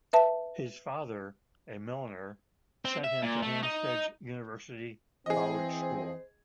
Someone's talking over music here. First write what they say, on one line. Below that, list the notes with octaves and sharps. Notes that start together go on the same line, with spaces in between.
His father, a milliner, sent him to Hampstead's University College School.
B4 E5 A5
C4
E5
A#2
A3
D#4
E3 C4 G#4 C5 D#5